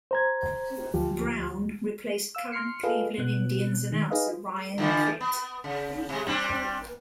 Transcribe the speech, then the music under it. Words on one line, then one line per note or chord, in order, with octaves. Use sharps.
Brown replaced current Cleveland Indians announcer Ryan Pritt.
C5 A#5 G#6
D2 F3 G4
F5 E6
C6 F6 C7 C#7
F4 G#4 A4 B4 D#5 F5
B2 B3 F#6
D#3 G#3
D#4 G#4 B4 D#5 F5
D3 E3 F3
B3
C#3
C3 G#3
G3 C4 D4